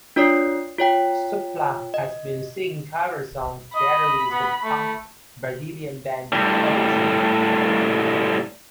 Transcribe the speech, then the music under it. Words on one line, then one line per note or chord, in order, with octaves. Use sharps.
Supla has been singing cover songs together with the punk Brazilian band Holly Tree.
D4 F4 C#5 D5 D#6 C7
F4 C#5 G5 B6
D#5
D#5 B5
B3
A3
A2 G3